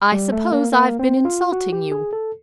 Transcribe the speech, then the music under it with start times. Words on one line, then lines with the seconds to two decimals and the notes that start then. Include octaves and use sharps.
I suppose I've been insulting you.
0.12 G3
0.32 A3
0.52 A#3
0.72 A#3
0.99 C4
1.25 F4
1.52 F#4
1.72 G4
1.92 G#4
2.13 A4